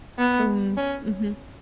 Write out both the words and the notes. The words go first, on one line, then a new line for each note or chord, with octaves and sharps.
Mm, mhm.
B3
C#4